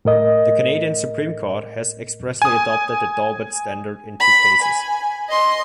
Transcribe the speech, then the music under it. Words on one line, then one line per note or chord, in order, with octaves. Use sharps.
The Canadian Supreme Court has expressly adopted the Daubert standard in two cases.
A2 A#4 D#5
G#5 D#6
B5
G#5
D#5 C6